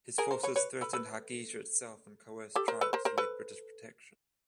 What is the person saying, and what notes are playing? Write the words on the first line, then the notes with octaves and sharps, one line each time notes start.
His forces threatened Hargeisa itself and coerced tribes to leave British protection.
G#4 A#4
A#4 C5
B4 C#5
B4 C#5
A4 B4
A4 B4
G4 A4
A#4 C5
A4 B4
A#4 C5
A#4 C5
A4 B4